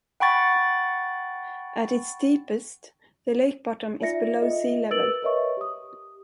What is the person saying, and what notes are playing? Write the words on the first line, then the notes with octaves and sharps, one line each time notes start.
At its deepest, the lake bottom is below sea level.
F#5 G5 B5 C#6 A6
D#4 F4 D5 E5 A#6 C#7
F4 A4 D#5 E5
A#4 B4 E6 A6 D7 F#7
A#4 B4 C#5 D#5 E5 C#6
G4 D#6